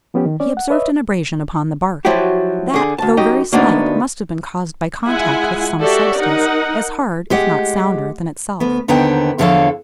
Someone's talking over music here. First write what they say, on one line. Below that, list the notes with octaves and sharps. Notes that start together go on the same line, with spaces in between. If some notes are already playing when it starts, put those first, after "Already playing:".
He observed an abrasion upon the bark; that, though very slight, must have been caused by contact with some substance, as hard, if not sounder, than itself.
F3 B3 C#4 G4
D#3
C#4 D5
F#5
B4 C#5 D#5 E5
F3 F#3 E4 F#4 G4
D3 G#4
D2 A5
F#2 D#4 G4 D#5
D2 A#3 B3 D4 D#4 F#4
G#3 E4 F4 E5 F#5 G#5
F#4 G4 A4 C#5 D5 E5
D#4 A#4 F#5
G#3 G4 F#5
D2 B3
D#2 D3 B3 D#4 C5 G5
E2 D3 F3 A4 C#5 F5